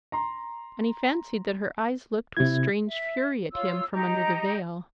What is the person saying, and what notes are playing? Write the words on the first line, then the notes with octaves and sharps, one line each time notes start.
And he fancied that her eyes looked with strange fury at him from under the veil.
A#5 C6
C3 E4 G#6
E5
F4 C#5 E6
D#4 G4 D#5 A#5